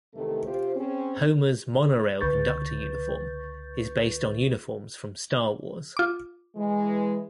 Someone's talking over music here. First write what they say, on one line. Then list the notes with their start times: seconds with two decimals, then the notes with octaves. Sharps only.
Homer's Monorail conductor uniform is based on uniforms from "Star Wars".
0.15 E2 C3 D#3 A3
0.46 C3 F4 G4 C5
0.76 C4 C#4 G#4
2.21 C#2 D3 B4 C#6 G6 A6
5.97 F4 D6
6.56 E3 G#3